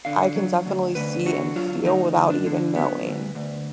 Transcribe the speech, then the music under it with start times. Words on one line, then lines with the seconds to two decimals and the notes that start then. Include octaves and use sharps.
I can definitely see and feel without even knowing,
0.05 D3 F5
0.36 F#3
0.66 D2
0.95 D2 B4
1.25 D3 F#4
1.56 F#3 F4
1.85 D2 D#4
2.16 D2
2.30 D4
2.46 D3
2.75 F#3 B3
3.06 D2
3.35 D2